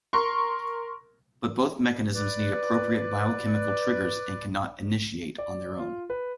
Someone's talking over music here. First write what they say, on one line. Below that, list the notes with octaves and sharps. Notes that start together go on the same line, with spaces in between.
But both mechanisms need appropriate biochemical triggers and cannot initiate on their own.
A#4 C6 C#6
B4 D5
D5
F4
B4